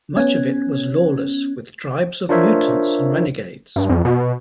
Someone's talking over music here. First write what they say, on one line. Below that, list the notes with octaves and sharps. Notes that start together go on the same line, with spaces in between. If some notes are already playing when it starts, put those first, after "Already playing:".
Much of it was lawless with tribes of mutants and renegades.
B3 C#4
D4 F4 A#4 C5 C#5 E5
G2
F2
B2